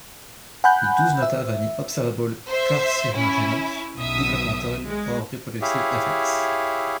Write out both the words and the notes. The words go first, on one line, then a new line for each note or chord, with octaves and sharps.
It does not have any observable carcinogenic, developmental, or reproductive effects.
F#5 G#5 B5 F#6 G6
E5
C5 E5
C#4 E4
B1 B2 E5 D#6
G#3
E4 G4 G#4 C#5 E5 F5